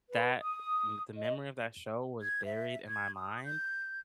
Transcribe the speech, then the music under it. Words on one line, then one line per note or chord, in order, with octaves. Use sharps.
that m the memory of that show was buried in my mind,
B4
D#6
D#5
G#6
E5
G#6
D#6
G6